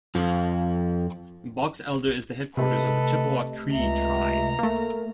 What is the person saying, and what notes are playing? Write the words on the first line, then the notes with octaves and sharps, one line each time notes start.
Box Elder is the headquarters of the Chippewa-Cree tribe.
F2 F3
C3 A3 A4 B4 D#5
C#2 E5 A#5
A3 A#3 A#4